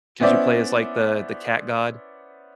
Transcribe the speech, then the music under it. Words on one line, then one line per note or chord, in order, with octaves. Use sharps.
'cause you play as, like, the the cat god.
B3 C#4 E4 C5 D5 E5